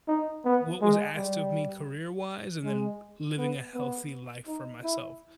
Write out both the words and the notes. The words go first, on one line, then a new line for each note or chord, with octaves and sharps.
what was asked of me career wise and then living a healthy life for myself,
D#4
B3
G#3
G3
G#3
B3
B3
D#4
E4